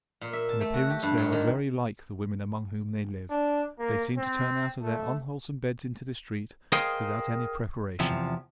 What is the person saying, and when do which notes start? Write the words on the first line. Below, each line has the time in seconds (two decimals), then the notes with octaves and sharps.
In appearance, they are very like the women among whom they live. They seem to turn out of their unwholesome beds into the street, without any preparation.
0.21 A#2
0.33 E5
0.49 A5
0.61 A3
0.74 F#4
0.90 G4
1.03 G2
1.18 A#2
1.32 D#3
3.30 D4
3.79 A#3
4.18 C4
4.82 A3
6.72 G#4 A#4 C5 D#5 F5 G5
8.00 E2 C3 F3